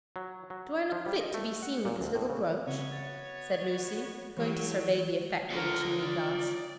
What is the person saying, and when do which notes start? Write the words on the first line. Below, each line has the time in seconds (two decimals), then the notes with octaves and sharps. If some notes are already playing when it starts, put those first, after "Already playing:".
"Do I look fit to be seen with this little brooch?" said Lucy, going to survey the effect in the chimney-glass.
0.16 F#3
0.50 F#3
0.92 F3
1.06 G3
1.20 D#5
1.34 A3
1.63 F#5
1.85 A#2
2.01 D2
2.15 A2
2.29 C#3
2.66 C#3 B3 C4 F#4 C#5
2.92 A6
4.37 A2 E3 F#3 G#3 G4
5.50 D3 F4 A#4 C#5
6.01 D5